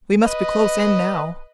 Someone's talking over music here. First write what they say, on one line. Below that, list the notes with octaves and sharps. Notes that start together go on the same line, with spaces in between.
We must be close in now!
B4 D#5